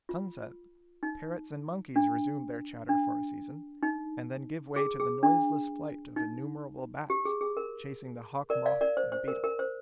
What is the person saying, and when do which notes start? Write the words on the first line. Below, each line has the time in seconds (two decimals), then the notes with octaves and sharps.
At sunset parrots and monkeys resume their chatter for a season, and then give way to the noiseless flight of innumerable bats chasing the hawk-moth and beetle.
0.09 F4
1.03 D#4
1.96 D4
2.89 D4
3.83 D#4
4.76 G#4
5.00 G#4
5.23 D4
6.16 D#4
7.10 G4
7.25 G#4
7.41 G#4
7.57 A#4
8.50 A#4 D5
8.66 D5 F5
8.81 A#4 D5
8.97 C5
9.12 C5
9.28 A#4
9.44 A#4
9.59 C5